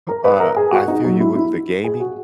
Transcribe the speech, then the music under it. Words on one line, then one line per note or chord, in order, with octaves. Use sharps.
uh, I feel you with the gaming.
A#4
B4
A#4
G#4
F#4
D#4
F#3
E4
E4
G#4
F#4